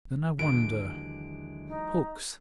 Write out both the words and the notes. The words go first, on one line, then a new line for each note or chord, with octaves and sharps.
Then I wonder--hooks?
D#2 D3 E3 F#3 G#3 D7
D#4